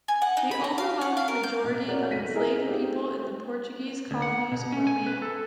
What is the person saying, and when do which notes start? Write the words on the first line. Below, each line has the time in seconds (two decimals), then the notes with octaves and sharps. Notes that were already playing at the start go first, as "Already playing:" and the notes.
The overwhelming majority of enslaved people in the Portuguese colonies were male.
0.08 G#5
0.22 F#5
0.37 D#4
0.51 B5
0.64 A#5
0.78 F5
1.01 F#5
1.17 F5
1.28 A#4
1.43 G6
1.64 A#1 B2
1.88 F#4 A#4 C#5 D5
2.10 F1 A#6 B6 D#7
2.34 E4 G#4 A#4 D#5
2.66 A3 C4 D#4 F4 G4 G#4
4.11 D2
4.22 F#5
4.52 B2
4.72 C#4
4.87 G#5
5.07 B4
5.22 A4